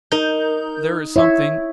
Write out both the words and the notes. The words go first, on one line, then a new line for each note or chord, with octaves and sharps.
There is something....
D#4 A#4 G6
E4 C#5 E5